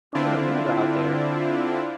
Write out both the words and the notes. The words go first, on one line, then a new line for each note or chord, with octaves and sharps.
we’re gonna move out there.
D3 C4 D4 E4 F4